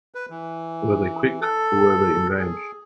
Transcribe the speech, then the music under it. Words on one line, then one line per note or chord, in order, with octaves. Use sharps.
Were they quick or were they enraged?
B4
E3
A4
G#4